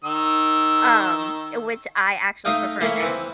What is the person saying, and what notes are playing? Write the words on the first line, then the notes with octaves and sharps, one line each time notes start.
um, uh, which I actually prefer now
D#3 E6
A3 D#4 D#5 F5 G5
A3 A#3 C#4 E4 A4
E3 C4